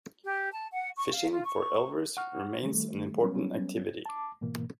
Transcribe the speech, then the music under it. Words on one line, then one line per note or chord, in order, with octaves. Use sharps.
Fishing for elvers remains an important activity.
G4
A5
F#5
C#6
F5
F4
C#6
F#5 C#6 F6
D#3 G3 A3
F#3 G3 B3 C#4
A5 D6
G#2 B2 E3 A#3